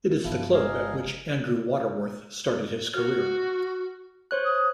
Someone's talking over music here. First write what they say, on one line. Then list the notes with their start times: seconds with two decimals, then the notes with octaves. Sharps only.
It is the club at which Andrew Waterworth started his career.
0.25 G1 F3 E4
0.53 G#3 G#4 A#4 F5
2.94 F#4 F6
4.31 C5 C#5 F#6
4.44 D#6